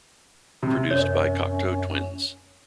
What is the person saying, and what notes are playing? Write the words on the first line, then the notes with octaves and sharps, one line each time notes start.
Produced by Cocteau Twins.
C3
F#2 C#4 C#5